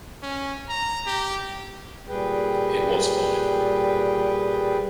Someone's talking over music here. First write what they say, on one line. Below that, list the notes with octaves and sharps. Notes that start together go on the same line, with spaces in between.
It was fine.
C#4
A#5
G4
A#2 G3 G#4 B4 G5